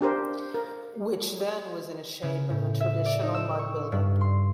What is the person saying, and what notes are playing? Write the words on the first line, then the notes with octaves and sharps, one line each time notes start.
Which then was in a shape of a traditional mud building.
D4 G4 A#4 C5
A#4
C#3
A2
E5
D5
D#4
E6
C#6
G2
C6